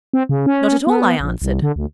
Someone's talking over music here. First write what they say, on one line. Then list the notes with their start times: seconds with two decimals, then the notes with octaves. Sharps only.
'Not at all,' I answered.
0.13 C4
0.29 C#3
0.46 C#4
0.87 B3
1.20 A#1
1.42 C2
1.62 D3
1.76 D2